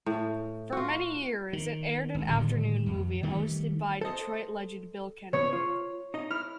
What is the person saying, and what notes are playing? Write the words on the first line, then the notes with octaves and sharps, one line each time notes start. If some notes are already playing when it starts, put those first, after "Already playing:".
For many years, it aired an afternoon movie hosted by Detroit legend Bill Kennedy.
A2
F4 F#4
D#3
G#1
A2 D3 D#3 G3
F2
D#3 E3 G3 A3
A4 C5 D#5
C#3 B3 C#5
F4
D#4 D#5
E4 F6